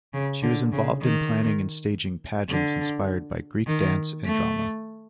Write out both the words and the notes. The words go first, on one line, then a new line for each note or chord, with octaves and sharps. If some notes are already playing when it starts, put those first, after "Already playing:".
She was involved in planning and staging pageants inspired by Greek dance and drama.
C#3
D3
C#3
D#3
D3
D#3
A3